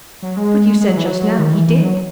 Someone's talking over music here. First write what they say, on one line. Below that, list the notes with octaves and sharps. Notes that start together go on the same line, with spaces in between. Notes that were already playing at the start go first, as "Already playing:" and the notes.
"But you said just now he did."
F#3
G#3
G#3
F#3
E3
F#3
D#3
E3
E3
F#3